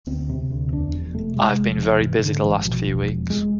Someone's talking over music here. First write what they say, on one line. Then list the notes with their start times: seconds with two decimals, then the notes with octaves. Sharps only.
I've been very busy the last few weeks.
0.07 D2 C4
0.29 C3
0.50 D2
0.72 E2 D4
0.93 F1
1.15 C3 A3
1.36 C3 G#3
1.58 E1
1.69 F3
1.79 C3
2.01 G#2 E3
2.18 E3
2.22 G#2 D3
2.44 A1 E3
2.65 B2 F3
2.87 E1
3.08 E1
3.29 F1 G#3